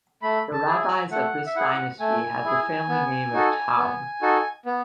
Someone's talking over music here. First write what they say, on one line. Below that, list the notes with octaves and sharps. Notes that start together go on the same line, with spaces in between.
The rabbis of this dynasty have the family name of "Taub".
A3 B5
A5
E4 G#4
G#5
A3 F#5
E5
E4 G#4 F#5
A3 G#5
E4 G#4
B3
D#4 F#4 A4
B3
D#4 F#4 A4
B3